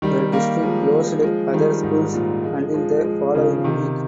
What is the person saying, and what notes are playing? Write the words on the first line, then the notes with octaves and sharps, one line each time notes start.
The district closed other schools until the following week.
D#3 G3
G3 A#3
F3 G#3
F3 G#3
D#3 G3
G#2
A#2
F3 G#3
F3 G#3
F3 G#3
C#3 F3
C3 D#3